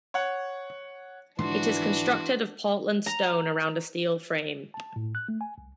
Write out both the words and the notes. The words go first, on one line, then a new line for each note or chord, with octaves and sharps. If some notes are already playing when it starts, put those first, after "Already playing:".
It is constructed of Portland stone around a steel frame.
C#5 F#5
G#2 D3 E3 F3 D4 F#4 C6
A#5
A5
A2
F#6
A3
G#5
C2